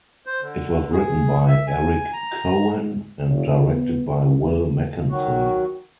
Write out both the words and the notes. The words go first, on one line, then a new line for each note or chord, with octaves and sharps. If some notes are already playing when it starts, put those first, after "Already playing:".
It was written by Eric Cohen and directed by Will Mackenzie.
C5
D3
G#4
E5
G#5
A#5
F1
B3
D#3 F#3 F#4